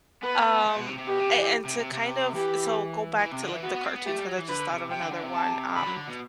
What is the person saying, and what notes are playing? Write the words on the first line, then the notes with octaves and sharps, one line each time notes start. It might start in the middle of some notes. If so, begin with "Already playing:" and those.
Um, a and to kind of so go back to, like, the cartoons cause I, just, thought of another one, um,
B3 B4
A3
B2
C3
C3
B2 G4
C3
E3
E3
C3
C3
C3
E3 G4
E3
C3
D3
E3
B3 F#4
B3
C4
B3
A3 G4
G3
F#3
E3
D3 B4
C3
C3 G5
D3
D3
C3
A5
D3 B5
F#3
D3
B2